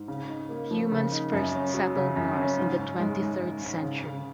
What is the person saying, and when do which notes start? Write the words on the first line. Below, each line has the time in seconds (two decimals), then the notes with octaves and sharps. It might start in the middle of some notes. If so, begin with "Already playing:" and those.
Humans first settled Mars in the twenty-third century.
Already playing: G#2
0.08 C#3
0.29 D#4
0.49 A#3
0.71 F3
0.92 C#3
1.12 D#4
1.33 F#2
1.54 C#4
1.74 F#3
1.96 C#3
2.16 F#2
2.37 C#4
2.58 G#2
2.78 G#2
2.99 G#3
3.20 D#3
3.41 G#2
3.62 G#2
3.82 C#3
4.04 C#3